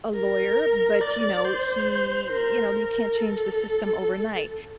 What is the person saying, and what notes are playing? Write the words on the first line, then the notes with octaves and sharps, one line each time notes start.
a lawyer, but, you know, he you know, you can't change the system overnight.
A#4
D5
C5
A#4
A4